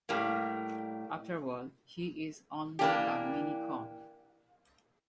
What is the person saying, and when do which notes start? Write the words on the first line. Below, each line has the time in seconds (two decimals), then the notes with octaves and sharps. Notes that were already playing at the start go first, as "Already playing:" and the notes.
After all, he's only a Mini-Con.
0.09 A2 G3 A#3
2.79 E3 A#3 D4 G4